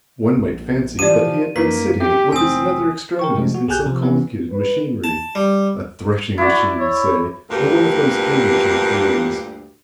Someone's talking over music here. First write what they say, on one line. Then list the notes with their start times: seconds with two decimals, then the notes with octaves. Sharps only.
One might fancy that he had been sitting with his nether extremities in some complicated machinery, a threshing-machine, say, or one of those hay-making furies.
0.36 A#1
0.99 E3 F3 G4 D5 D#7
1.56 F#2 A#3 D#4 B4 B6
2.00 G4 E5
2.32 F1 C4 G#5 D#6
3.19 A#4 G5 C#6
3.34 C3 F3 G#3 A3
3.55 F#4
3.68 B1 G4 G#4 G#5 F#6 G6
3.86 C3 F3
4.01 C3 E3 B3 C#4
4.51 B4
5.04 A5
5.35 G3
6.38 E4 F#4 D5
6.80 C#5
7.50 D2 G2 A#2 G4 B4